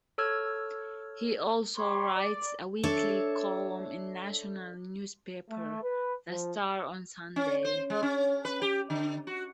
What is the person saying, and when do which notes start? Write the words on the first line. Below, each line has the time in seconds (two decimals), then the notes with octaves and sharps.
He also writes a weekly column in national newspaper, "The Star on Sunday".
0.18 A4 C#5 E6 F6 G#6
1.77 G4 C#5 B5 C6 D6
2.16 D5
2.83 D4 A4 C#5 E5
5.49 A3
5.82 B4
6.27 F3
7.36 C#4
7.65 C5
7.90 G#3
8.03 C#4
8.45 B4
8.62 G4
8.90 D3
9.27 F#4